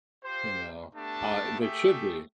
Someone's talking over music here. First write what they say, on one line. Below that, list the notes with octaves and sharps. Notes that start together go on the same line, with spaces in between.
You know, uh, that should be.
F4 G4 C5
A3 B3 D4 G4 A5
A3 G4 G#4 E5